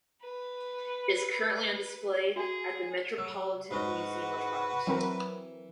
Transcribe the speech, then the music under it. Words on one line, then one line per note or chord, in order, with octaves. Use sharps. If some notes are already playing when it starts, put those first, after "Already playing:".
It is currently on display at the Metropolitan Museum of Art.
B4
F#4 G#4
F#3 E6
G#2 G#3 C#4 F#4 B4
E3 F#3 C4 A#4